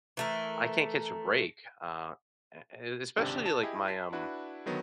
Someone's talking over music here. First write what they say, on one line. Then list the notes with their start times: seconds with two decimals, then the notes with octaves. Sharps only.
I can't catch a break, uh, a and especially like my, um,
0.17 E3 A3 A#4
3.17 G#1 C#2 C3 D4 G4
3.46 A5
3.63 E4 G4 G#4 D#5
3.87 A5 B6 C7
4.13 D4 E4 F#4 B4
4.66 D3 D#3 F#3 B3